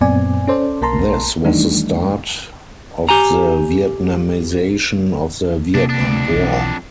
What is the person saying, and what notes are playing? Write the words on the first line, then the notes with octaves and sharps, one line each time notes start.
This was the start of the "Vietnamization" of the Vietnam War.
F#2 A#2 B3 C4 D5 G#5
C#4 A4 C5 D5
B1 A#3 A#4 A5 A#5 C6
D#3 E3 G3 A3 D4 D#4
G4 G#5 A#5
E2 C3 A#3 D4
F2 D4
B1 E3